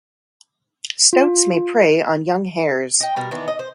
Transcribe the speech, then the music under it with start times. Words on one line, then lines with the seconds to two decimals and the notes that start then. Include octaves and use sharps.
Stoats may prey on young hares.
1.13 F4
3.00 D#5 G5
3.16 B2 G3 A#4
3.31 D#3 E3 B3 D4
3.48 D#5
3.59 C5